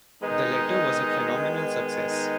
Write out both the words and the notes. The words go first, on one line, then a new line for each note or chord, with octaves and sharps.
The letter was a phenomenal success.
D#3 G#3 B3 D#4
D#4